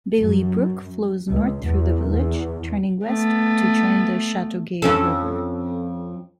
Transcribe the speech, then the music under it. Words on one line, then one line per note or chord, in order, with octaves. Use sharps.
Bailey Brook flows north through the village, turning west to join the Chateaugay River.
F#2
C#2
E2
E2
A3 B3
F2 C#4 A4